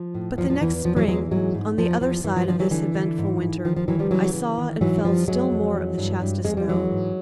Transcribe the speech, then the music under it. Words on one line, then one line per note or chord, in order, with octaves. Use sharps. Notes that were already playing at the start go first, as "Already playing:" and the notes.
But the next spring, on the other side of this eventful winter, I saw and felt still more of the Shasta snow.
Already playing: F3
A2
E2 F3
F3
E2 E3
E2 F3
E3 F#3
E3 F#3 G#3
G#2 F#3 G#3
G#2
E2 F3
E2 F3
G2 E3
F3
D3 F3
E3 F#3
D3 E3
D3
G#2
G#2
D#3 F3
F3
D#3 E3 F#3
F3 G3
C#3 E3 F#3
E3
D#3
G#2 E3 F#3
F#2 F3 G3
F#2 F#3 G#3
F2
E3
G2
G2
F2 G#3
G3
E3 F#3 G#3
G#2